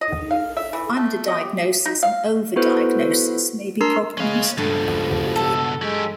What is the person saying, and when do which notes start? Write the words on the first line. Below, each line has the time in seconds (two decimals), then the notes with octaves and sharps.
Underdiagnosis and overdiagnosis may be problems.
0.01 D#5
0.31 F5
0.57 E5
0.73 E3
0.97 A3
1.28 D#5
1.41 G4
1.85 D#4
2.03 F5
2.56 B3 E4 F#4 A4 B4 C5
3.81 D4 A#4 A#5 C6 E6 C7
4.18 G#3 C#4 B4 F5
4.57 C#2 G2 B2 F3 A3
5.36 A4
5.82 F#3 G#3 G4